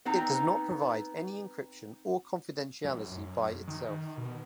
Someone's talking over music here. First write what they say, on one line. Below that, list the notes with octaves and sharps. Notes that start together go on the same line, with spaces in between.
It does not provide any encryption or confidentiality by itself.
B3 C4 D#4 A#5
F#2
F#2
D#3
B2